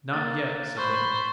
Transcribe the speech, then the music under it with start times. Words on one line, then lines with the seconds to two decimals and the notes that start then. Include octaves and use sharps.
"Not yet," said Denton.
0.12 A#3 F#6 A6
0.77 C5 B5 C#6